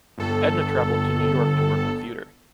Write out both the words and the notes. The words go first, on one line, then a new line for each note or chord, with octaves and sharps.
Edna traveled to New York to work in theater.
G1 A4